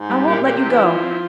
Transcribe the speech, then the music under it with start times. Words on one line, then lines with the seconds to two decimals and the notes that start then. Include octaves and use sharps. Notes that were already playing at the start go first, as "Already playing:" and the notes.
I won't let you go!
Already playing: G#2
0.09 G3
0.27 A#2 G4
0.42 A#2 G4
0.56 C3
0.65 E3 E4
0.84 F3 E4
1.03 C4